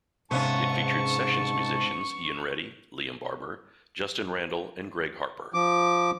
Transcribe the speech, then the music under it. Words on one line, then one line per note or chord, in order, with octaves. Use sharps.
It featured session musicians Iain Reddy, Liam Barber, Justin Randall and Greg Harper.
G#2 C3 B3 C#4 F5 A5 C#6
F3 D6